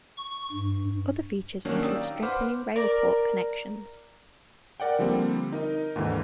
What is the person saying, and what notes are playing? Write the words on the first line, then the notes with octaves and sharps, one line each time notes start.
Other features include strengthening rail-port connections.
C#6
G2
D#3 F#3 A#3 C#4 D4
G4 D5 G5 D#6 E6
D#4 F5 G5
B4 C5 F#5 C6 D6 F6
A#4 D5 D6
A#4 D5 F#5 G5
D3 F3 G3 A#3 C4
D#4 A#4 D#5
D#2 G#2 D3 E3